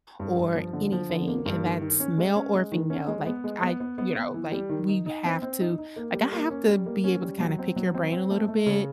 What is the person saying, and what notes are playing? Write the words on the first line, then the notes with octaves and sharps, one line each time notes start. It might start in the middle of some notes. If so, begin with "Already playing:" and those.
or anything, and that's male or female, like, I you know, like, we have to like, I have to be able to kinda pick your brain a little bit,
G2
G2
F3
D3
F3
D3
A#3
G2
D#3
D#3
C#4
G#3
C#4
G#3
D#3
C#4
G#3
B3
G#3
B3
B3
B3
B3
E3
G3
D#3
D#4
D#4
C4
C4
D#4
D#4
A#3
G3
A#3
C#4
G3
A#3
C#4
G3
F#3
C4
F#3
C4
C4
A3
A3
C#3